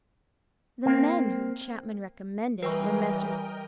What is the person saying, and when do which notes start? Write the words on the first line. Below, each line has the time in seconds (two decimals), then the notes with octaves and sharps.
The men whom Chapman recommended were Messrs.
0.86 A#3 C4
2.63 E3 G3 A#4 B4 D#5 G5 C#6